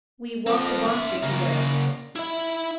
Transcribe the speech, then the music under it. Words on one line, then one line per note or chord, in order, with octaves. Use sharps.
We walked to Bond Street together.
F3 C4
C#4 E5
C#3 A#3
E4 E5